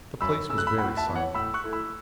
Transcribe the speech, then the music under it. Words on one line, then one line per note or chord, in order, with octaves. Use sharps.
The place was very silent.
F#2 B5 E6
C#3 A3 E6
F#6
B5 E6
A2 F#5 B5
E5 A5
E3 B3
C#5 F#5
A2 B5 E6
C#6 F#6
A3 E4
B5 E6